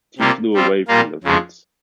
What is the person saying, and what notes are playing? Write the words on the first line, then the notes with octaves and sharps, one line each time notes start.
He flew away from the fence.
C3 G3 A#3 F4
G3 C4 F4
A#2 G3 A#3 F4 A#4
F2 C#3 F3 G#3